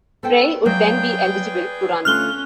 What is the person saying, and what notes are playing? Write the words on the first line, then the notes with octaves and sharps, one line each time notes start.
Frei would then be eligible to run.
B3 A4 C5 G5
F#3 A#3 G#4 B4 D5 G5
D3 A3 C#4 F4 F6 F#6 G7